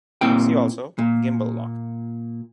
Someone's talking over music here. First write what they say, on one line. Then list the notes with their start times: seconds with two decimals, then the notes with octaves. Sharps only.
See also: Gimbal Lock.
0.21 A#2 C4 E4 G5
0.99 A#2